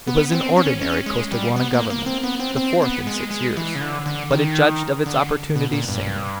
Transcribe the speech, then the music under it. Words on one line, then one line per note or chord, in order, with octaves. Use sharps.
It was an ordinary Costaguana Government--the fourth in six years--but it judged of its opportunities sanely.
B3
C4
C#4
C#4
G#3
G3
B3
A#3
A#3
C4
B3
C4
C4
B3
G#3
G#3
E3
C#3
D3
D3
D#3
D3
B2
A#2
G2